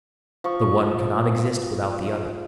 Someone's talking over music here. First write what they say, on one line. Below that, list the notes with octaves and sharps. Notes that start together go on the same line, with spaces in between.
The one cannot exist without the other.
F3 C#6